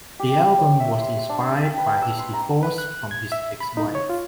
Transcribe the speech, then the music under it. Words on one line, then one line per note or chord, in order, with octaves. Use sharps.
The album was inspired by his divorce from his ex-wife.
G4
C#5
E5
C6
D#6
D4
A5
G5
B4
E6
C6
A#5
B4
F#6
G#6
E5
B5
D#4
C#5
F4